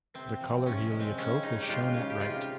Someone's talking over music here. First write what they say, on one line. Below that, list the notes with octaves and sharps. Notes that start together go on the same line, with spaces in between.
The color heliotrope is shown at right.
C3 C4
F3
C3 C#4
G#3
C4
C#3 C#4
G#3 D#4
G4
G#3 F4
C#3
G4
C3 F4